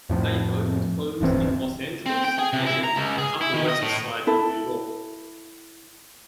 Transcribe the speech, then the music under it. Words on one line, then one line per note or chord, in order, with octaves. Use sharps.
They owned homes in Los Angeles and the Upper West Side in New York.
F2 A2 F3
D1 G2 E3 C4
C4
G5
G#4
C3
E4
A#5
C#2
G#4
E4
D#3
D#5
A2
E4 A4